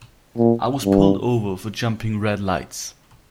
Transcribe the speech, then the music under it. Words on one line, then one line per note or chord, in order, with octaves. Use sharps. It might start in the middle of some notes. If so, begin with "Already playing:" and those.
I was pulled over for jumping red lights.
A#2
G2